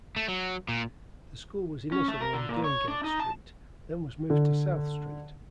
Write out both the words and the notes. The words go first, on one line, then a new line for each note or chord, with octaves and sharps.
The school was initially in Durngate Street, then was moved to South Street.
A3
F#3
A#2
C#4
A3
A#4
D3
A#2
C#5
D4
D#4
A5
D3